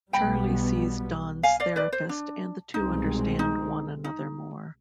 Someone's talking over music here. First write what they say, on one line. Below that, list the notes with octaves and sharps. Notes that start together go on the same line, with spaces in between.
Charlie sees Don's therapist and the two understand one another more.
B1 B2 G3 B3 G5 B5
F5 G#5
D5 F5
B4 D5
C5
D4
C2 B2 G#3 C4 D#4
D#4
D#4